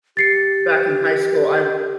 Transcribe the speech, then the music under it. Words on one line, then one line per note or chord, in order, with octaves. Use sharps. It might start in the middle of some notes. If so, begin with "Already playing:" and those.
back in high school, I
G4 A6 C7 C#7